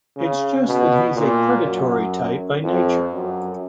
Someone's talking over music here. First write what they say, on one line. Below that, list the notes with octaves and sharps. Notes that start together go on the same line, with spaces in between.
It's just that he's a predatory type by nature.
C#3
B2
A#2
F#2
F2
F#2